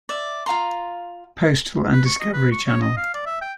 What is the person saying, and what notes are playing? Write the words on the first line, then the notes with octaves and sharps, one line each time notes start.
Postal and Discovery Channel.
D5 E5
F4 F5 A#5 C6
B4
C#6
D#5
B4
C#6
C#5
D#5
F5
D5
E5
G5